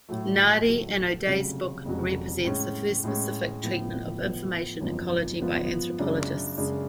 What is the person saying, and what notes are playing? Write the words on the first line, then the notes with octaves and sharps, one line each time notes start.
Nardi and O'Day's book represents the first specific treatment of information ecology by anthropologists.
A2 F#3 A3
A2 F#3 A3
F1 F2 C#3 F#3
F1 F2 C#3 F#3
A2 G#3 C#4
A2 G#3 C#4
A2 F3 B3
A2 F3 B3
G#1 F#2 F3 B3 F4
G#1 F#2 F3 B3 F4
F#2 C#3 G#3 D4
F#2 C#3 G#3 D4